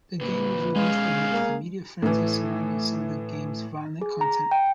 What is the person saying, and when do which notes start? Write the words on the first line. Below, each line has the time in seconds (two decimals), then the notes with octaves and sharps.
The game was released amidst a media frenzy surrounding some of game's violent content.
0.21 A#2 D3 B4
0.76 B2 G#3 C#4 G#4 F5
1.32 A#3
2.02 A2 E3
4.01 G#4
4.21 A#5
4.51 G5